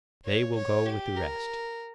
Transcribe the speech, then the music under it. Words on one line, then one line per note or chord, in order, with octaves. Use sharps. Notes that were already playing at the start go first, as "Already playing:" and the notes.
They will go with the rest.
C#5
C#5
G4
A#4